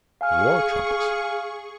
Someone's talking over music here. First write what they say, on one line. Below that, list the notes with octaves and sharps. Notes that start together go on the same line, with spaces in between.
War trumpets!
G#4 F5 G#5 C#6 F6